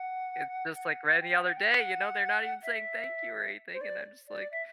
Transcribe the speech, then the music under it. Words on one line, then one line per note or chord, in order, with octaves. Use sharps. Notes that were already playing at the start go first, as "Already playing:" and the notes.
it's just, like, any other day, you know, they're not even saying thank you or anything, and I'm just, like
Already playing: F#5
F#5
G5
F#5
F#5
G5
F#5
E5
C5
D5
D5
E5